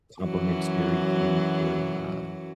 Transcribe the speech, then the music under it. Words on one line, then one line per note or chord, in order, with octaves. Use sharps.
complimentary things or, uh,
F#2 E3 F#3